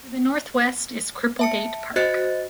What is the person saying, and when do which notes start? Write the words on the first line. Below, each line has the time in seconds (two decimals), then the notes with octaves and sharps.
To the northwest is Cripplegate Park.
1.39 E5 A5 C#7
1.96 F#4 C5 D#5 F#6 A6 C#7